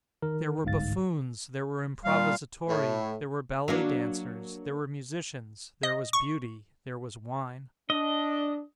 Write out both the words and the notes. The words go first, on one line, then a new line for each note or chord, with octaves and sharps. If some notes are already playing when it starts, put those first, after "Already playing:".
There were buffoons, there were improvisatori, there were ballet-dancers, there were musicians, there was Beauty, there was wine.
D#3 A#4
G1 C2 G#2 F5 A6
A#2 G3 F5
A2
F#3 A#3 D4
D#5
C#6
D4 D#5